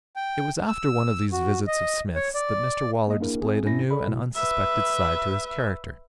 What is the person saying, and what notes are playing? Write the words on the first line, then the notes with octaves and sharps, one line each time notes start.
It was after one of these visits of Psmith's that Mr Waller displayed a new and unsuspected side to his character.
G5
E6
F#4
D#5
C#5
D5
A#3 D#5
A#3 D4 E4 G#4 A#4
C4 G#4
G#2 C#4 E4 A#6
A4 D5 B5
B2 E4
B4 E5